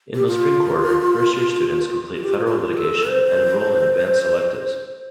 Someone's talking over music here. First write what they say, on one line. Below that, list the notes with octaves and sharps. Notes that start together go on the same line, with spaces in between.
In the spring quarter, first-year students complete Federal Litigation and enroll in advanced electives.
G4
F4
F4
G4
F4
F4
G4
A4
C5